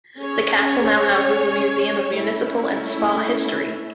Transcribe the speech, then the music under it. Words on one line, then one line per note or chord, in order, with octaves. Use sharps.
The castle now houses the Museum of Municipal and Spa History.
C#4 G#4 C#5
A3 C#4 E4